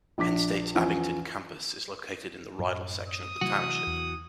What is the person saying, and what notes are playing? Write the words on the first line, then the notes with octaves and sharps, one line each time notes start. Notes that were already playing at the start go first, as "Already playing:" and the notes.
Penn State's Abington campus is located in the Rydal section of the township.
A#1 D4 D6 B6
E2 F3 C#4
F#2 A2 F#3
D#6
C3 E3 F#3 A3 F#4
E2